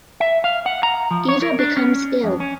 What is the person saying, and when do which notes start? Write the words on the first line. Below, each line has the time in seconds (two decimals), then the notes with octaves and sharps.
Eva becomes ill.
0.20 E5
0.44 F5
0.66 F#5
0.83 A#5
1.11 F3
1.29 C#5
1.42 A#4
1.59 D4
1.77 C#4
2.24 F2
2.40 C#4